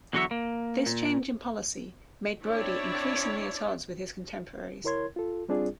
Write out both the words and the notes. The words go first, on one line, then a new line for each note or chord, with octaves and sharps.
This change in policy made Brodie increasingly at odds with his contemporaries.
E2 D3 F#3 F#4 C#5 E5
A#3
A#2
C4 D4 E4 C#5 D5
D2 E4 A#4 C#5 C6 G#6
F4 A4
G3 C4 D4 F4 G#4 D5